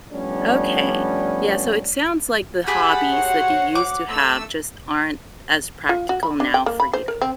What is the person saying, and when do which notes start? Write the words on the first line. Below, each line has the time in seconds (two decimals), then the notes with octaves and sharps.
Okay, yeah, so it sounds like the hobbies that you used to have just aren't as practical now for you.
0.11 F3 G3 A3 B3 C#4 D4
2.68 G4 G#4 F#5 A5 B5
3.13 F#4 C5 C#5
3.75 D6
4.09 A3 E6
5.89 F4
6.09 F#4
6.23 B5
6.40 D4
6.54 G5
6.66 A#3
6.80 B5
6.93 C5
7.08 A#4
7.22 C4